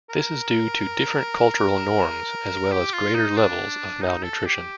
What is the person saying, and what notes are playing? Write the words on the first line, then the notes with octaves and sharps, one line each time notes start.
This is due to different cultural norms as well as greater levels of malnutrition.
A#4
G4
F4
D#4
D4
D#4
A4
G4